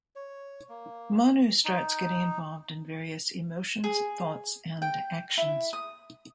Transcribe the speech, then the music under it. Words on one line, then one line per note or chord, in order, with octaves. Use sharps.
Manu starts getting involved in various emotions, thoughts and actions.
C#5
A#3
D#4
G#4
G5
E4
D#6